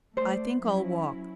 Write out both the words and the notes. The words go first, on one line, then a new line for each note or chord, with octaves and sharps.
"I think I'll walk."
A3 C5 D5
F#3 C#4 E4